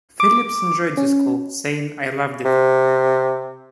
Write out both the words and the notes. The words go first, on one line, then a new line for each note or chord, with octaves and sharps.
Phillips enjoyed the school, saying, I loved it.
D6
C#4
C3